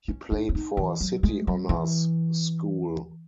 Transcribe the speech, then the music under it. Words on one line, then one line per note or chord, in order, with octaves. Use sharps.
He played for City Honors School.
C#4
D#4
C#4
D#4
E3
F#3
G#3
F#3
E3